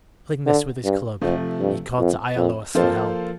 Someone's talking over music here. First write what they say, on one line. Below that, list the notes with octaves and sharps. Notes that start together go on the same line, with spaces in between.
Killing this with his club, he called to Iolaus for help.
D3
G2
F2 C3 F3 A3
G2
F2
F2
F2 F3 A#3 F4 A4 C5